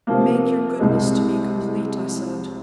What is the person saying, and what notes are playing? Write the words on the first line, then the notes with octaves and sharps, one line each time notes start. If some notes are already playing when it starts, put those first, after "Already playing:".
"Make your goodness to me complete," I said.
C3 F3 A#3
C2 C3 G#3